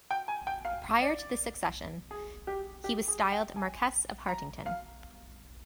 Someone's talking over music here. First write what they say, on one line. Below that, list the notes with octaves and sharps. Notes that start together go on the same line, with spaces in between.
Prior to this succession, he was styled Marquess of Hartington.
G5
G#5
G5
F5
D5
G#4
G4
G4
G#4
G5
G#5
A#5
F5